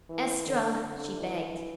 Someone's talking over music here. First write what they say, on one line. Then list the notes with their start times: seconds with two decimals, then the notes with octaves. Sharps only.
"Estra!" she begged.
0.10 E3
0.46 D3
0.81 D3
1.18 E3